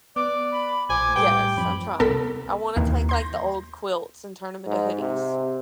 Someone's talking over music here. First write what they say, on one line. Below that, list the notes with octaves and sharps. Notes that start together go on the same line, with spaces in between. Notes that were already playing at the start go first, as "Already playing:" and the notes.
Yes, I'm trying. I wanna take like the old quilts and turn 'em into hoodies.
B3 D5 D6
B5
A#1 C5 G#5 D6
A2 G3 B4 G5
F#2 F3 C4 B5
C2 B3 A4 A#4 A5 B6
D#2 E3 A#3
C6 G6 A#6
G#2
C3